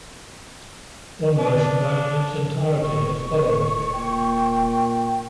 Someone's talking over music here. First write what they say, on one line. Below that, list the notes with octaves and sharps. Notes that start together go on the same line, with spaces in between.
One version ran in its entirety as follows.
D4
D#1 C#6
A#2 G5